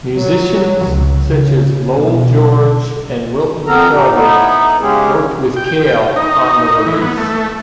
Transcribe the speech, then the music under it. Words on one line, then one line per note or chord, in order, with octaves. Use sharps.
Musicians such as Lowell George and Wilton Felder worked with Cale on the release.
F#3
C#2
C#3
B1
F2 B3 C4 A4 A#4 A#5
A#2 A3 D#4 G4
B3 D#4 E4
C#3 G#3 C#4 G4 G#4
G5
D#4
E3
B3
A3